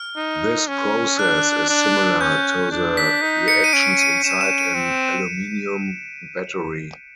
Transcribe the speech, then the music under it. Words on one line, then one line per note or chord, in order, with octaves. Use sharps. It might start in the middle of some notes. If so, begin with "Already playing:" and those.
This process is similar to the reactions inside an aluminium battery.
Already playing: F6
D#4
C#4
D4 F#6
D4
C#4 G6
D4
B6
D#4
C#7
D#7
C#4 D7
D#7
C#4 E7
E7
D#7
C4